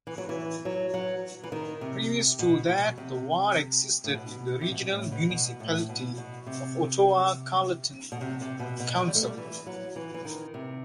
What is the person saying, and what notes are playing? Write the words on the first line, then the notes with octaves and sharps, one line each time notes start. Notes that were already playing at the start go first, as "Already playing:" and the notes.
Previous to that, the ward existed in the Regional Municipality of Ottawa-Carleton Council.
E3
F#3
E3
F#3
F#3
E3
D#3
C3
B2
B2
C3
A2
B2
C3
B2
A2
B2
B2
A2
B2
B2
C3
B2
C3
C3
B2
B2
G3
A3
G3
E3
F#3
E3
E3
D#3
C3